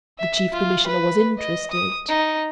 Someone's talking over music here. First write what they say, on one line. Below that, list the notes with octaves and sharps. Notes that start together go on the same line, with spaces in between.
The Chief Commissioner was interested.
E5
F4
B4
D#5
D#6
D#4